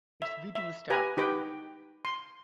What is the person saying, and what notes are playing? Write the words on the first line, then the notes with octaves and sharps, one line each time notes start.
It’s beautiful stuff.
E5
E5
G4 B4 G#5 A#5
D#4 G4 B4 G5
C6